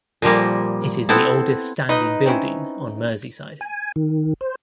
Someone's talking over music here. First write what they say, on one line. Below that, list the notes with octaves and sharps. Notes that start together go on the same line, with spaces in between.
It is the oldest standing building on Merseyside.
A#2 F3 G3 A#3
B3 C4 E4 A4
D#4 B4 D#5
C4 C#4 E4
G#5
D#3
C5